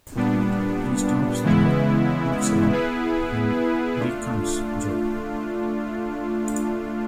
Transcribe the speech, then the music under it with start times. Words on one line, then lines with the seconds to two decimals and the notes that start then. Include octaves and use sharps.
He stops there, looks round, and beckons Jo.
0.16 A#2 G3 B3 D4
1.44 C#3 E3 G#3 B3 E4
2.73 B3 E4 G#4 B4
4.01 A3 D4 F4